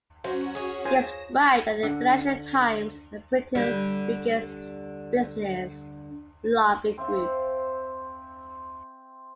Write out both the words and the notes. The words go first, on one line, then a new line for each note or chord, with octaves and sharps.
Described by the "Financial Times" as "Britain's biggest business lobby group".
F#3 C#4 F#4 C5
G#4 C#5
F4 C5 G#5 A#6 E7
D3
D3 G3
C4 C5 E5 F5